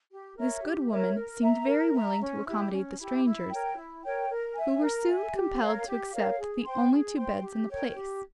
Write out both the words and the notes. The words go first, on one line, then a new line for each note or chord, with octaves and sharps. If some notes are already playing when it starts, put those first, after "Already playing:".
This good woman seemed very willing to accommodate the strangers, who were soon compelled to accept the only two beds in the place.
G4
A#4 C#5 E5
G4
A#4 C#5 E5
A#4
E5 A#5
A#4
E5 A#5
C#4
E4 G4
C#4
E4 G4
E4
A#4 C#5 G5
E4
A#4 C#5 G5
A#4
E5 G#5
A#4
E5 G#5
G4
A#4 C#5 F5
G4
A#4 C#5 F5
G#4
C5 G5 C6
G#4
C5 G5 C6
G4
A#4 C#5 G5
G4